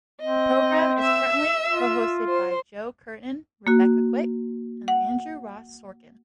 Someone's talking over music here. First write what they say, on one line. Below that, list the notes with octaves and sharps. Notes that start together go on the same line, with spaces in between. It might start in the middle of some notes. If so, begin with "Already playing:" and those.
The program is currently co-hosted by Joe Kernen, Rebecca Quick, and Andrew Ross Sorkin.
C4 D#5
E5 E6
F4
C5
A#3 F#4
F#5